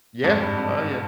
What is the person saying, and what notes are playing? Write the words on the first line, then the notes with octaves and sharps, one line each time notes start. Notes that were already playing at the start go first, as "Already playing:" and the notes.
Yeah. Oh, yeah.
F2 G#2
G2
F2